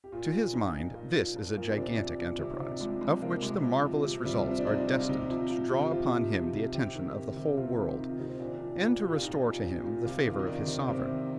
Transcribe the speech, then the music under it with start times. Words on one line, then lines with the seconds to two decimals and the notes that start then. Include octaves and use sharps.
To his mind, this is a gigantic enterprise of which the marvellous results are destined to draw upon him the attention of the whole world, and to restore to him the favour of his sovereign.
0.04 G4
0.12 A#2 F4
0.33 F3
0.54 F3 D#4
0.74 A#2
0.95 A#2
1.15 F3
1.36 F3
1.57 A#2 A#3
1.67 C4
1.77 C3 D4
1.98 F3
2.19 F3
2.40 C3
2.50 D#4
2.60 C3 D4
2.80 F3 G#3
3.01 F3 G#3
3.22 C3 A#3
3.42 C3 G#3
3.64 F3
3.84 F3
4.05 C3
4.25 C3 G3
4.46 F3
4.51 C4
4.59 D4
4.67 F3 D#4
4.87 C3
4.99 F4
5.09 C3 D#4
5.29 F3
5.49 F3
5.70 C3
5.80 G4
5.91 C3 F4
6.12 F3
6.33 F3
6.53 C3
6.74 C3 G4
6.95 D#3
7.15 D#3
7.36 C3
7.57 C3 F4
7.77 D#3
7.98 D#3 D#4
8.09 F4
8.19 C3 D#4
8.29 C4
8.39 A#2 D4
8.60 F3
8.81 F3
9.02 A#2
9.08 G4
9.15 F4
9.22 A#2 D#4
9.43 F3
9.64 F3
9.84 A#2
10.05 C3 F4
10.26 D#3
10.31 F4
10.39 D#4
10.47 D#3 D4
10.67 C3
10.88 C3 C4
11.09 D#3